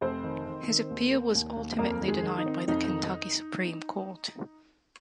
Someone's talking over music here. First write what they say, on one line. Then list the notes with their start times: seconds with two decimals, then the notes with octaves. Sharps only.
His appeal was ultimately denied by the Kentucky Supreme Court.
0.01 F1 C4 C5
0.24 D#3
0.46 D#3
0.68 D#3
0.91 D#2
1.12 A#3
1.35 D#2
1.57 D#2
1.78 F2 A#3 A#4
2.01 D#3
2.08 G#3 G#4
2.23 D#3
2.38 D#4
2.46 C4
2.68 F2 D#4
2.90 D#3